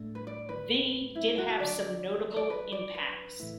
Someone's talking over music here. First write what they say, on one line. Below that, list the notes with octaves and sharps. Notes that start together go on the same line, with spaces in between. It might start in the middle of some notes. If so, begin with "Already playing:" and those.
V did have some notable impacts.
Already playing: A2 A3 D4
B4
D5
B4
E4
F#4
D3 F#3 D4 D5
D5
B4
D5
B4
A2 E3 A3 E4